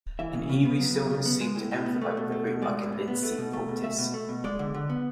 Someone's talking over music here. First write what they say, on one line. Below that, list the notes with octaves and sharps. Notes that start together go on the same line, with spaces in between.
An eerie stillness seemed to envelop the room like a linseed poultice.
E3 E5
C#3
C#3
B3
F#3
C#3
C#3
B3
G#3
A2
A2
B3
A3
B2
A3
B2
G#3 D5
A2
A2
B3
A3
B2
A3
B2
A3 E5
B2
A3
B2
G#3 D5
D3
D3
B3